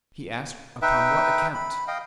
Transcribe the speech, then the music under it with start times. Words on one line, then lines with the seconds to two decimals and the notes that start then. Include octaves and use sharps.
He asked, upon what account?
0.82 D#4 B4 E5 G5
1.54 B5
1.88 D#5 F5 G5